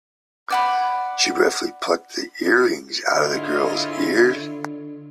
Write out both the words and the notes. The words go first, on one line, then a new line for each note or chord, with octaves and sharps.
She roughly plucked the earrings out of the girl's ears.
D5 F#5 B5
G#2 D3 E4 F4 C#5 D#5